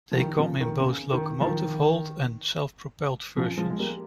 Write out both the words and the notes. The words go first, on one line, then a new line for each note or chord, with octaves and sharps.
They come in both locomotive hauled and self-propelled versions.
F3
D#3 G3
C#3 F3
D#3
C#3
D#3
F3
D#3
C#3 F3
F3 G#3
G#3
G3 A#3